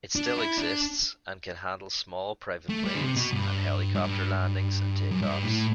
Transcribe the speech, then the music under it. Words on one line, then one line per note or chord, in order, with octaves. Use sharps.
It still exists and can handle small, private planes and helicopter landings and take-offs.
D4
E4
D4
A3
G3
D3
C3
B2
G2
G2
F#2
G2
A2